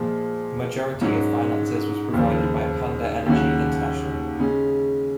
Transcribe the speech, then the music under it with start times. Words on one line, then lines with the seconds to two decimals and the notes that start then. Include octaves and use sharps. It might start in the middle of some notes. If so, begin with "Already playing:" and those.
The majority of finances was provided by Panda Energy International.
Already playing: A#2 F3 G#3
1.01 G#2 F#3 C#4
2.13 D#2 C#3 F3
3.26 D#2 C#3 F#3 C#4 F#4
4.39 C#3 G#3 C#4 G#4